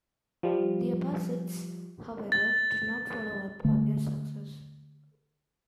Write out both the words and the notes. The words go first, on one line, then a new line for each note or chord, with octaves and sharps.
The Abbasids, however, did not follow up on their success.
F3 G3
A6
D3 A3